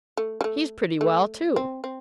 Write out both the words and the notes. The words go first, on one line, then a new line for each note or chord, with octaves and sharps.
He's pretty well, too.'
A3
G3
A3
A3
C4
C4